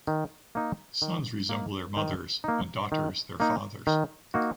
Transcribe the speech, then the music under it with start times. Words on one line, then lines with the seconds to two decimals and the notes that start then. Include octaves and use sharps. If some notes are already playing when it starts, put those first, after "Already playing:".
Sons resemble their mothers, and daughters their fathers.
0.07 D#3
0.55 A#3 D#4
1.02 D#3
1.49 A#3 D#4
1.97 D#3
2.44 A#3 D#4
2.92 D#3
3.40 A#3 D#4
3.87 D#3
4.34 A#3 D#4 F#4